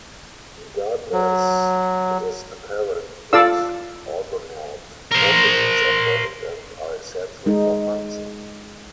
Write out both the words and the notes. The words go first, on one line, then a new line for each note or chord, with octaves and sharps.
Regardless, it is apparent that Argonaute proteins are present and are essential for function.
F#3
F4 A4 D5 F5 E6
A#4 C5
G#3 D#4